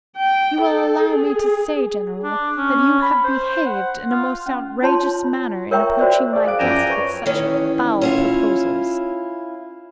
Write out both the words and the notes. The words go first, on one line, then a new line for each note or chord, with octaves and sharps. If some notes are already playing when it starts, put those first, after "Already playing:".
You will allow me to say, general, that you have behaved in a most outrageous manner in approaching my guest with such foul proposals.
G5
A4
G#4
D4
C#4
B5
C5
F#5
F4
C#4
D#4 F4 C#5 A5 C6
A#4 C#5 E5 G5 A#5 C#6
F#4 C5 D5 E5
G#4 A#4 D5
F5 F#6 D7
F#2 F3 G5 G#5 A#5 E7
B4 C#5 C#6
D#3 E3 C#4
C#4 E4 F4